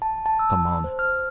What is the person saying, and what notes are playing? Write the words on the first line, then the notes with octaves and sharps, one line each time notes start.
Come on!
A5
A5
E6
C5
F6